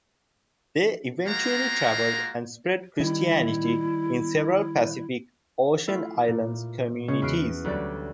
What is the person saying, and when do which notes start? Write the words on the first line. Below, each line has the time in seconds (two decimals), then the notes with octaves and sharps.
They eventually traveled and spread Christianity in several Pacific Ocean island communities.
1.26 G#3 A#3 F4 F#4 A#5
3.00 D#3 G3 E4
5.87 A3 E4 F4
6.28 A#2
7.08 C#3 G#3 C#4 C#5
7.22 E2 B3 F#4 F6 C7 D7
7.64 D2 F#3 G3 D5